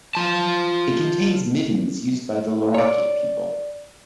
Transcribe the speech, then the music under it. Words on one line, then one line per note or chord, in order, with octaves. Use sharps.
It contains middens used by the Larrakia people.
F4 A5
C#5 D5